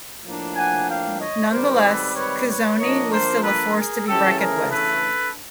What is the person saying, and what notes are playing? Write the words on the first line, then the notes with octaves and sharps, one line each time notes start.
Nonetheless, Cuzzoni was still a force to be reckoned with.
A2 F3 A#3 D4
F#5 G#5
F5 G5
C#5 D#5
G#2 D#3 G3 C4 A#4 C5
A4 B4
B4 C#5
B4 C#5
A#2 F3 A#3 D4 C#5 D#5
A#4 C5
A4 B4
G#4 A#4
C#3 E3 A3 C#4 G4 A4
G#4 A#4
A4 B4